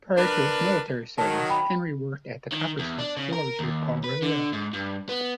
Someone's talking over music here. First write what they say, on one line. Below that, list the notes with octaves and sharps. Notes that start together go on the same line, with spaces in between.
Prior to his military service, Henry worked at the copper-smith's forge with Paul Revere.
D4 A#4 B4
D#3 F#3 A5
G5 B5
D#3
E2
D4
C#3
A#4
D#2
B4
D3
G#2
G2
B3